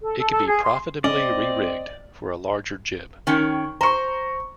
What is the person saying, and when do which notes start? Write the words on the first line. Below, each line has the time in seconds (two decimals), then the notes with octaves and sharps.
It can be profitably rerigged for a larger jib.
0.01 A4
0.19 A4
0.32 A4
0.47 G#4
0.64 C6
1.04 C4 C#4 D5 D#5
3.27 D#3 C#4 G5
3.81 C5 A#5 C#6